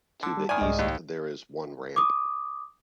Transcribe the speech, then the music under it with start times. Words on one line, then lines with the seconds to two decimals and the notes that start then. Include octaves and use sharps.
To the east there is one ramp.
0.23 D3 F#5 A5 E6
0.37 G3
0.49 A2 D#3 D5 G#5
0.61 C2 G#2 G#3 D5 D#5
0.79 D#2
1.96 D6 D#6